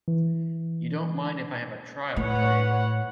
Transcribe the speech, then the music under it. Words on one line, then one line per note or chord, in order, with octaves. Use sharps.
You don't mind if I have a trial, Clay.
E3
A2 B4 C#5 F#5